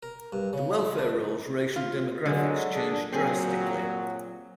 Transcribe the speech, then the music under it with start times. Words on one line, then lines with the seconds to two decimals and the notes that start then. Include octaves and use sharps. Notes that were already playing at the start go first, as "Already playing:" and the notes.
The welfare rolls racial demographics changed drastically.
0.03 A#4
0.33 G2
0.53 C#3
0.79 E4
0.98 D4
1.76 F4
2.26 D3 F#3 G#3
2.73 D4 G#4
3.12 A#2 F#3 C4 G#4